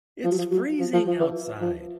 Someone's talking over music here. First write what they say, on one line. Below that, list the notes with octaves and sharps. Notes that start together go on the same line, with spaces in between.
It's freezing outside!.
F3
F#3
F3
F#3
F3
F3
F3
E3
F3